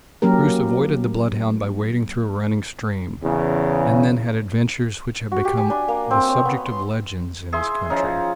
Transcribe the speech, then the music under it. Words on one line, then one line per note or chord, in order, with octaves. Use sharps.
Bruce avoided the bloodhound by wading through a running stream, and then had adventures which have become the subject of legends in his country.
F#3 A#3 C#4 G4 A#4
E2 C#3
F#4
G4
G#5
D4
A#3
C4
C#5
B3
C6
G#4 E5 C6
F3 C#4 D#4